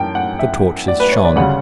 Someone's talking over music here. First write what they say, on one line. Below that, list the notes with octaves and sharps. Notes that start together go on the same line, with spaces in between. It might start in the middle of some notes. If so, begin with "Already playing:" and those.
The torches shone.
Already playing: F#2 E3 G5 A5
F#5
E5
D5
B4
C#5
D5
D2 C#3 G3 F#5